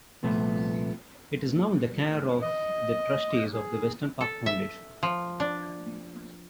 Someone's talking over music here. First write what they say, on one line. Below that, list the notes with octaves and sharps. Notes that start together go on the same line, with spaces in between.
It is now in the care of the trustees of the Weston Park Foundation.
C2 A#2 F3 A3 B3
D#5
G#4
A4
E5
F3
D4